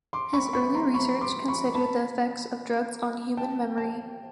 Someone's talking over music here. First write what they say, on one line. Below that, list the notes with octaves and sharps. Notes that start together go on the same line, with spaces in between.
His early research considered the effects of drugs on human memory.
C6 D6
B5 C#6
B5 C#6
A#5 C6
B5 C#6
C6 D6
B5 C#6
A5 B5
G5 A5
G5 A5